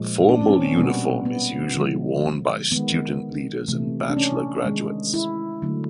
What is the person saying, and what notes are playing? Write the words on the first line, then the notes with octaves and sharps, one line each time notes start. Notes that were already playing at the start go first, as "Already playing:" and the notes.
Formal uniform is usually worn by student leaders and bachelor graduates.
Already playing: A#2 F3 G#3
D4
C#4
C4
C#4
B3
B2 G3 A#3 B3
B3
D3 F3 G#3
D#3 G#3 B3
C3 E3 A3
D4
C#4
D#3 G#3
E4
D3 F#3 A3